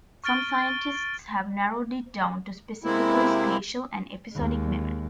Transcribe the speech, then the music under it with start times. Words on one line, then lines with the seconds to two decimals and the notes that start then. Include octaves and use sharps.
Some scientists have narrowed it down to specifically spatial and episodic memory.
0.24 C#6 F6 A6 D7 G7
2.84 C3 G#3 A#3 C4 E4
4.33 D#2 G#3